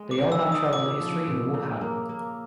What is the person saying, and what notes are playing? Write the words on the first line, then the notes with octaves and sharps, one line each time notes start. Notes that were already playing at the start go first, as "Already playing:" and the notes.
They all have travel history in Wuhan.
Already playing: G#3
D6
D#3
E6
D#3
D#6
A#2 D6
F3
A#2
C#3
A#3
A#3